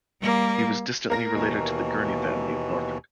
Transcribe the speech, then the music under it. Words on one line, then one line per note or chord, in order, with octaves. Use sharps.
He was distantly related to the Gurney family of Norfolk.
G3 A#3
A#3 A#4 A#6
D#2 B2 E3